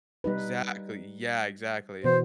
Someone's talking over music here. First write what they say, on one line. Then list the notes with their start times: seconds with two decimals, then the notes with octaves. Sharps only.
Exactly, yeah, exactly.
0.24 G3 D#4 B4
2.04 B2 E3 B3 C5